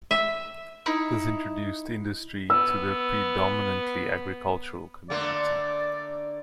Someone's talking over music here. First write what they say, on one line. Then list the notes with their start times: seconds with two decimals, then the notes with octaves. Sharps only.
This introduced industry to a predominantly agricultural community.
0.11 E5
0.86 D#4 E4
2.50 B3 E6
5.10 D3 A3 A#3 D5